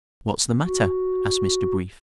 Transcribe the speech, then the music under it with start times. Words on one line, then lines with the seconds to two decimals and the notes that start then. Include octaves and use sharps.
"What's the matter?" asked Mr. Brief.
0.66 F#4